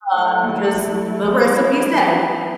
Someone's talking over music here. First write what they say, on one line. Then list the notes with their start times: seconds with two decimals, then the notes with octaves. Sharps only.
uh, because the recipe said
0.13 F#3 A3 E4 A4
1.26 E3 G3 B3 E4